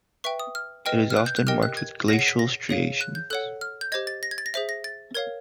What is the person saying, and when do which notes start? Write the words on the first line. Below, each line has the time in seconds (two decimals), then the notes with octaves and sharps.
It is often marked with glacial striations.
0.24 B4 E5 G5 C#6
0.39 D#6
0.55 F6
0.86 B4 D#5 G5 F6
1.10 F6
1.17 F#6
1.26 G6
1.37 F#6
1.47 G4 A#4 D#5 G5 F6
1.63 F#6
1.77 G#6
2.08 G#4 C#5 F#5 A#6
2.19 C7
2.28 B6
2.39 A#6
2.69 G#4 C#5 F5
3.01 F#6
3.15 G6
3.30 A4 C#5 F#5 F#6
3.61 F6
3.81 G6
3.92 G4 C5 D#5 G#6
4.07 A6
4.23 A#6
4.31 G#6
4.38 A6
4.46 A#6
4.54 G#4 C5 E5 B6
4.69 A#6
4.84 A6
5.15 A#4 C#5 F5 G#6